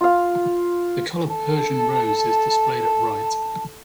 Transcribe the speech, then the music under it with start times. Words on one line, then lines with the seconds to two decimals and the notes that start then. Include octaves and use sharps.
The color Persian rose is displayed at right.
0.01 F4 F5
1.29 A4 A5